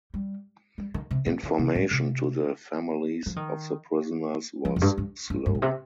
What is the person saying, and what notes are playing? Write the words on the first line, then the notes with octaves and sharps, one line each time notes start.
Information to the families of the prisoners was slow.
G3
G3
D#3
C3
A#2
D3
C3
G#2
C3
F3
D#3
F3
F2
G2
G2
G2
G2
A#2
C3